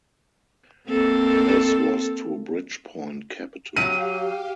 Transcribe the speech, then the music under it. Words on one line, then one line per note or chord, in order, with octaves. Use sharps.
This was to Bridgepoint Capital.
A#3 C4 A4
F#3 G4 F5 D#7